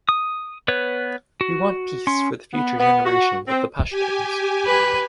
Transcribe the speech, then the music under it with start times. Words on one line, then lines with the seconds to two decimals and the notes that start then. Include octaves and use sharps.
We want peace for the future generations of the Pashtuns.
0.09 D#6
0.68 B3 B4 C#5
1.41 F#4
2.07 C#4 C6
2.54 B3
2.78 B3
3.05 F#4
3.48 C4
3.90 G4 G#5
4.67 B4